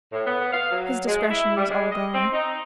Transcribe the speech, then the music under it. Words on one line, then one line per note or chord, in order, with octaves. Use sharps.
His discretion was all gone.
A2
B3
F5
F#3
G#3
E4
G3
G#3
D#5
C4
D#4